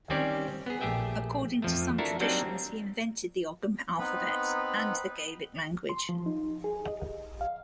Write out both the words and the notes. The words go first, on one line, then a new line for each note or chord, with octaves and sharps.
According to some traditions, he invented the Ogham alphabet and the Gaelic language.
D#3 G3 C4 C#4 C#5 D5
B3 G#4
A#1 A3 G4 G#4 E5 G5
F2 F3 A3
D4 E4 F#4 A4 A#4
F#3 G3 A#3 C4 D4 D#4
B3 C4 D#4 B4 B5
C6
F3
D#4
G#4
D#5
F5